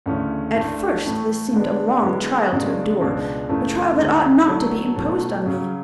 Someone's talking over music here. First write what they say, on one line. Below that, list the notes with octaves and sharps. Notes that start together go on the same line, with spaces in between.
At first, this seemed a long trial to endure, a trial that ought not to be imposed on me.
D2 C#3 E3 A3 C#4
D2 D3 A3 E4
A2 E3 A3 E4
D3 G#3 B3 D4
D3 G#3 B3 E4
E2 C#3 G#3 D4
C#2 B2 G#3 D4
F#2 C#3 E3 A3 E4
D2 D3 G#3 C#4 F#4
D3 F#3 A3 E4
B2 F#3 A3 E4
C#3 F#3 C#4